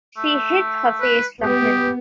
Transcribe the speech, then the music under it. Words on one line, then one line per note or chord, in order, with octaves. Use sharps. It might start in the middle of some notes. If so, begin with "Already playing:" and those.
She hid her face from him.
A3
B4
B3 G4 D#5